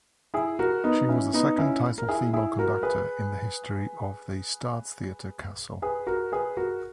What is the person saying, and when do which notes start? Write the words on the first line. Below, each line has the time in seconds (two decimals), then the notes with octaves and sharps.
She was the second titled female conductor in the history of the Staatstheater Kassel.
0.34 E4 G#4
0.59 F#4 A#4
0.84 B3 D#4
1.09 C#4 E4
1.34 B3 D#4
1.58 C#4 E4
1.98 A#4
2.09 E4 G#4
2.33 E4 G#4
2.58 F#4 A#4
2.83 G#4 B4
5.82 G#4 B4
6.07 F#4 A#4
6.32 G#4 B4
6.57 F#4 A#4